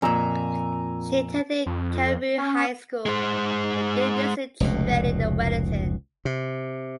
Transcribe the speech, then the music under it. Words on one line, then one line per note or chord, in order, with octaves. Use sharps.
She attended Karamu High School, then did nursing training in Wellington.
F2 A#2 G#5 A#5 E6
F2
C#4
G#3 C5
F1 C#2 B2
C3